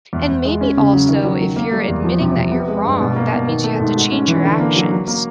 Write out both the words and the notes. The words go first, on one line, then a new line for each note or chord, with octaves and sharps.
and maybe also if you're admitting that you're wrong, that means you have to change your actions,
E2
E2
G#3
C#4
C#3
F#3
D#3
F#3
F#3
A#3
G3
E2
F3
C3
C3
B3
G#3
G2
B2
A#3
B2
D#3
A3
G#2
F#4
C#4
E3
D3
A#3
F#3
F#3
A#3